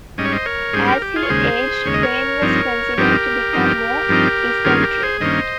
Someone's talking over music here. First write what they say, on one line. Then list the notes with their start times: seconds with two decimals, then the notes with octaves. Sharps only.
As he aged, Train was considered to become more eccentric.
0.18 G#2 G3 C#4 D#5
0.25 C#5
0.32 C5 D#5
0.46 A#4 C#5
0.73 G#2 G3 C#4 G#4 C5
0.88 G4 A#4
1.02 G4
1.16 F4 G#4
1.22 C#5
1.29 D#2 C#3 G#3 G#4 C5
1.85 D#2 C#3 G#3 C#5
1.94 D#5
2.03 A#4 C#5
2.42 G2 F3 C4 D#4
2.98 G2 F3 C4 D#4 G4 A#4
3.53 G2 F3 C4 D#4
4.09 G2 F3 C4 D#4
4.65 G2 D#3 A#3 C#4 F4 G#4
4.83 G4 A#4
5.03 G#4 C5
5.20 G2 D#3 A#3 C#4 C5 D#5